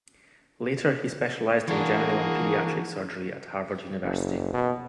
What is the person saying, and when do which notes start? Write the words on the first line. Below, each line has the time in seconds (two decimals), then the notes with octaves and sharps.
Later he specialized in general and pediatric surgery at Harvard University.
1.68 E3 A#3 D4 F#4 G#4
4.04 F#1
4.53 B2